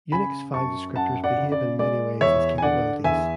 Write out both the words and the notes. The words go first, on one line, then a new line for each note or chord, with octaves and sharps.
Unix file descriptors behave in many ways as capabilities.
C#3 G#5 B5
F#2 A5 C#6
F#2 F#5 A5
D5 F#5
C#3
D5
G#3 D5
E2 C#5 E5
G#5
D3 D5 F#5
E2 E5 G#5